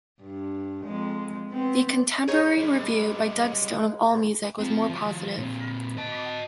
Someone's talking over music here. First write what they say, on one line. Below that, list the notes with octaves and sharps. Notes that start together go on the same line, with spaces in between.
The contemporary review by Doug Stone of AllMusic was more positive.
G2
F2 G#3
B3 C4
G#2 D#4 G#4 C#5
F#2 G3 G#3
C4 F4
F3 F#4
A#2 C4
D#5 A5